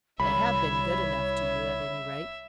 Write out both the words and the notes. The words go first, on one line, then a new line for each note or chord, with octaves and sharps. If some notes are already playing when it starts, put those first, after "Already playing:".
'They have been good enough to you, at any rate.
C2 C#5 E5 B5